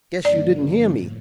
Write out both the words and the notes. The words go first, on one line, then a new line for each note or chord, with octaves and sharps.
Guess you didn't hear me.
G2 D3 F3 A#3 D5
A2